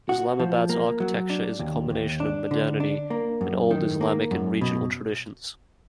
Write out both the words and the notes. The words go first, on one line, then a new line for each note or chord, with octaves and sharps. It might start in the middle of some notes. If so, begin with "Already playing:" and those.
Islamabad's architecture is a combination of modernity and old Islamic and regional traditions.
F#4
F3
A#3
F#3
D4
D#2
D#2
D4
D3
D4
A#3
F#2
D#3
A#3
F#2
B2